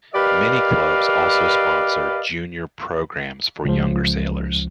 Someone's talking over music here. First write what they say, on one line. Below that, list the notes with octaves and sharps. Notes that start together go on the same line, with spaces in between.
Many clubs also sponsor junior programs for younger sailors.
G4 A#4 B4 D5 D#5 F5
C#2 F3